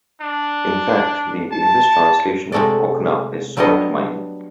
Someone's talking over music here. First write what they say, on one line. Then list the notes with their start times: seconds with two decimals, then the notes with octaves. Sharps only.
In fact the English translation of Ocna is salt mine.
0.22 D4
1.52 A5
2.52 C3 G#3 A3 F#4 D5
3.57 F#3 G3 B3 D4 D#5